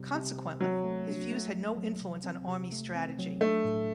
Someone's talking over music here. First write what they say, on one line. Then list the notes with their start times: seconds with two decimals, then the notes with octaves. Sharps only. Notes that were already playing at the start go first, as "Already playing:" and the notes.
Consequently, his views had no influence on army strategy.
Already playing: C3 G3
0.15 C3
0.38 C4
0.61 F#3 F#4
0.84 A3
1.07 D4
1.32 A3
1.54 F#3
1.77 F#3
2.01 C3
2.24 C4
2.48 C3
2.72 A3
2.95 C4
3.19 F#3
3.41 A3 D4
3.64 A2